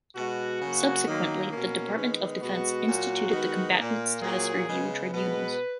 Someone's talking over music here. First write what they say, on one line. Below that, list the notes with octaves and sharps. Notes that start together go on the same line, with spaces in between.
Subsequently the Department of Defense instituted the Combatant Status Review Tribunals.
B2 G#3 B3 F#4
C#3 F#3 A#3
D#3 F#3 A#3
B2 A#3 C#4
D#3 G#3 B3
B2 G#3 B3 F#4
A#2 F#3 A#3
D#3 G#3 B3
A#2 A#3
A#2 F#3 A#3 G#4
C#3 G#3 B3
B2 G#3 B3 B4